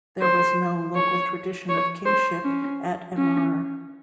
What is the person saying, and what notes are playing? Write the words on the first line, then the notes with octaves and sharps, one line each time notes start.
There was no local tradition of kingship at Emar.
C5
C#5
C#5
C5
C#4
C#4